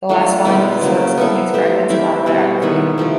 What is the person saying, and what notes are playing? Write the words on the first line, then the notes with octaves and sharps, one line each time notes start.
The last volume of his works contains fragments of autobiography.
A3 D4 F4 A4
B2 G#3 C4 E4
C#3 F#3 A#3
B3 E4 A4
A3 D4 G4 C5
C4 E4 G4 A#4
B2 G3 C4
D#3 G#3 B3 E4
C3 F3 A3 C4